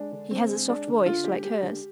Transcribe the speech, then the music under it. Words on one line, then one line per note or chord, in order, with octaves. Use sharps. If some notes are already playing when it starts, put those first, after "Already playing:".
He has a soft voice, like hers.
Already playing: G#3 D4
D3
D3 C4
G#3
G#3 D4
D3
D3 F4
G#3 G4
G#3 G4
D3